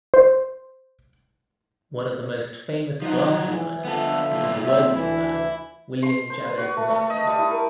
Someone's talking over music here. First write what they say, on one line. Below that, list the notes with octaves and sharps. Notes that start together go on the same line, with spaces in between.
One of the most famous glass designers was a Wordsley man, William Jabez Muckley.
C5
F3 F#3 D#4
E3
D3 F3 B3 A4 E5
C2 A#2
C4 E5
D2 E3 E4
C6
C5
B4
F#4
A3
A3
D#5
G3
E4
A#4